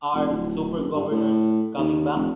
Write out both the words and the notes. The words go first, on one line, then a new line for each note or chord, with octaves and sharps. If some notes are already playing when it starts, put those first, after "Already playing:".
Are "Super Governors" coming back?
F1
D1
F#1
G2
A2
D#2
F1